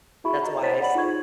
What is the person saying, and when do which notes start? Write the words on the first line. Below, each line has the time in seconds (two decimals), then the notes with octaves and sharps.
That's wise.
0.24 E4 F#4 G#4 E5 B5 C#6
0.43 D#5 A#5
0.62 C5 C#5 A6 B6
0.80 D5 F#5 B5 F#7
0.95 D#4 F4 G#4 A4 C#6 G#6